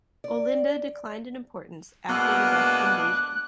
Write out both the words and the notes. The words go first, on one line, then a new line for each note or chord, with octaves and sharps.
Olinda declined in importance after the Dutch invasion.
D5
B2 G#3 A#3 B3 D4 F#5 E6 F#6